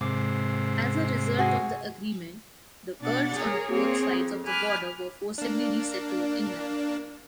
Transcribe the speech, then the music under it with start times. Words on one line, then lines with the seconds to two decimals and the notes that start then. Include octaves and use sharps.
As a result of the agreement, the Kurds on both sides of the border were forcibly resettled inland.
0.01 G#2 C3 D6
1.38 F#4 G#4 G#5
3.02 B2 D4 F#5 A6
3.34 G#4 A#4 C#5
3.69 A#3 C4 G#4 C#5
4.09 F2
4.47 G#5 B5 D6 F6 F#6
5.38 A#3 D4